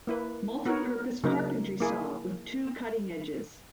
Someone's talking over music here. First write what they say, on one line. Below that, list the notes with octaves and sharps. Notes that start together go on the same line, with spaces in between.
Multi-purpose carpentry saw with two cutting edges.
A#3 E4 B4
B3 F#4 A#4 C#5
C#3 F#3 A#3 D#4 A#4
A#3 E4 G#4